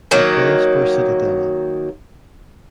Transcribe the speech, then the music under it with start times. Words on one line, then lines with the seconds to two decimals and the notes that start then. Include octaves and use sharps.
He plays for Cittadella.
0.11 D#3 F#3 A#3